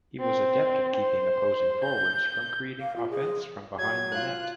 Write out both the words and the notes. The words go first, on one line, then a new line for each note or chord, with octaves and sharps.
He was adept at keeping opposing forwards from creating offence from behind the net.
C4
C5
G6
F5
F4
G#4
F#3 G#6
F4 F#6